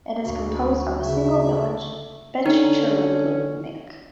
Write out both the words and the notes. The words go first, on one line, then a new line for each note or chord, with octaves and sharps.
It is composed of a single village, Becicherecu Mic.
D2 F#4
C#3 E5
D3 A3
D3 C#4 D#4